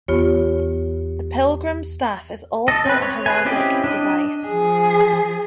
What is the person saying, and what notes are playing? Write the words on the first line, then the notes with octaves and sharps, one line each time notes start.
The pilgrim's staff is also a heraldic device.
E2 B3 F4 G4 C#5
A4 D#5
C4 B4
C#5
G#4 B4 G#5
C4 C#4 E4 G4 D#5
D4 D#5
F3 G#4